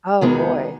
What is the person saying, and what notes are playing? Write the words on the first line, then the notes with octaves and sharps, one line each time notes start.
Oh, boy.
E2 D#3 G#3 B3 D#4 F#4